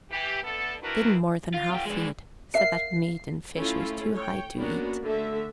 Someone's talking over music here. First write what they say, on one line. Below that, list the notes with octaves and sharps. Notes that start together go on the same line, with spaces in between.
Didn't more than half feed, said that meat and fish was too high to eat.
E3 G4
D3 A3 B3 A4
C4 D4 E4 F#4 A#4 B4
F4
F4 G4
G#3 D4
A#4 E5 F5 C7
A3 C#4 E4 F4
C#5 G5
A#3 B3 C#4 D4 F#4 A#4
D3 A3 E5